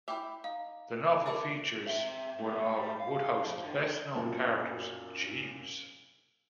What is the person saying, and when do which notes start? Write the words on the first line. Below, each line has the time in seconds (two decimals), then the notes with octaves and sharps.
The novel features one of Wodehouse's best-known characters, Jeeves.
0.08 E4 G4 E5 G5 D6 F7
0.44 D#4 F5
1.26 A#4 C#5 D5 E5 A5
1.87 C4 E5
2.40 A3 G4
2.76 G3 G4
3.00 F5
3.42 F3
3.62 D3 D#3
4.15 B1 F#2 A#2